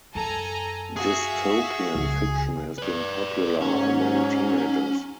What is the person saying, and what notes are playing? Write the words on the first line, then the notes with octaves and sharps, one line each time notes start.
Dystopian fiction has been popular among teenagers.
F#2 A4 G#5 A#5
F#4 G#4 E5 F5
C#2
B4 D5
G#2 F#3 C#4